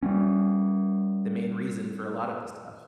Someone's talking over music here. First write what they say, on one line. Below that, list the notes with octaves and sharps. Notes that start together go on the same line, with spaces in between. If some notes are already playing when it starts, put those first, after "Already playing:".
the main reason for a lot of this stuff.
G3 A3 C#4